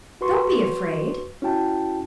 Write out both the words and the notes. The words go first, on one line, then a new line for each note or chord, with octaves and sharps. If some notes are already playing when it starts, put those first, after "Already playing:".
Don't be afraid.
F#4 B4 C6 C#6
C#4 E4 F#4 G5 A5